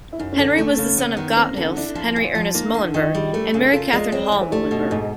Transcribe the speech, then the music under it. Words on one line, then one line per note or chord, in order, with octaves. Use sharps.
Henry was the son of Gotthilf Henry Ernest Muhlenberg and Mary Catherine Hall Muhlenberg.
E4
F#2 D#4
C#4
D3
C#4
A3
C#3
B3
D#3
C#4
A#3 C4
C#4
D3
D#4
D4 E4
F3
A#2
F3
A#3 D#4
D4
D3
E4
D#3 F4
G3 G#4
A3 A#4
C#3
A#4
F4 A4
G#3 D5
C4 C#5
D5
E3
C5
A3 G4
D4
B2
D#4
G#2